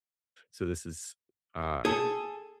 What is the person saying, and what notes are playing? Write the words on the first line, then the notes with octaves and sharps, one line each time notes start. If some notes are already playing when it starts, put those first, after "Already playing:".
So, this is, um,
G#4 A4